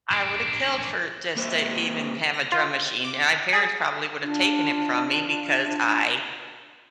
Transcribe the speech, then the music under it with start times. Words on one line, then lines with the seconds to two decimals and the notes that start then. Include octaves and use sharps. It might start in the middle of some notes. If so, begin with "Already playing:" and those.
I woulda killed for just to even have a drum machine, and my parents probably would have taken it from me because I
0.11 A#3 D4
1.37 A#3 B4 C5 E5
2.34 A#6
2.52 F4
3.04 D6
3.53 G#4
4.20 D4 F4